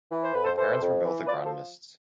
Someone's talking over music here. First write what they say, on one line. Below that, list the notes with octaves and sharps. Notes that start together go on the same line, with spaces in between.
Her parents were both agronomists.
E3
C5
F2 B4
A4 C5
E3 A4 C5
F2
E3
F3 B4 D5
A4 C5